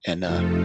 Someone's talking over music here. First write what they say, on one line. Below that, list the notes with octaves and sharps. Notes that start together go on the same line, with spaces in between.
and, uh
F2 C3 F3 A3 D#4 F4 A4